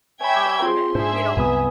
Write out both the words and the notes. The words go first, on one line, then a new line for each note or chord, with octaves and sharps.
um, you know,
C#5 E5 G5 G#5 B5 G#6
C4 F4 G#4 C6
G#2 D4 G#4 C5 E5
C2 F#2 B3 G#5 D#6